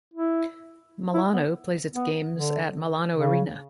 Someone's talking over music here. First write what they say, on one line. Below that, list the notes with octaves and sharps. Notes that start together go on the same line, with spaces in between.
Milano plays its games at Milano Arena.
E4
E4
B3
B3
D3
C#3